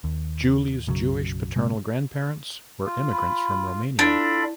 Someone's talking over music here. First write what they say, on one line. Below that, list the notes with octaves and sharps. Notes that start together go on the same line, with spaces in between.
Julie's Jewish paternal grandparents were immigrants from Romania.
D#2
B1 F#2 C#3 F#3
G1 C3 G#3
F4
B5
D4 E4 F4 A4 B5